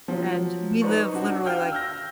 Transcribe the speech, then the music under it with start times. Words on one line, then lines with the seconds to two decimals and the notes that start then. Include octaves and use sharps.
and we live literally, like,
0.08 F3 F#3
0.82 D#4 B4 C5 D5 A#5 C#6
1.14 D4 F#4
1.46 F5 G5 F6 G6
1.72 E6 F6 G6 A#6